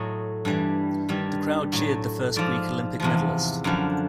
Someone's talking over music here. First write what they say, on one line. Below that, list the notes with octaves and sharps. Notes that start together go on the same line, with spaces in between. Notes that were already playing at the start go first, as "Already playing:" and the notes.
The crowd cheered the first Greek Olympic medallist.
Already playing: A2 F#3 D#5
G2 E3 G3
G2 D#3 G3
A2 F#3
G#2 F3 D5
E2 C3 F3
F#2 D3 F3